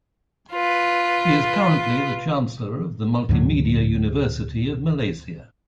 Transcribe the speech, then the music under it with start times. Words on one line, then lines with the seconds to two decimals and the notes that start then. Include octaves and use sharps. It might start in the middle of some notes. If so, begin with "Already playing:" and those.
She is currently the chancellor of the Multimedia University of Malaysia.
0.52 F4 B4
3.29 D2 G#2 D3 F#3